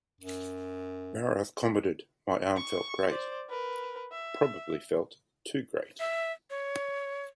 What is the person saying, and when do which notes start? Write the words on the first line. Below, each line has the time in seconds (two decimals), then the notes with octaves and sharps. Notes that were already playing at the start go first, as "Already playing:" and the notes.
Maroth commented My arm felt great...Probably felt too great.
0.21 F#2
2.56 C#6
3.08 C5 D5
3.49 A#4 B4
4.12 E5
6.00 E5
6.50 C#5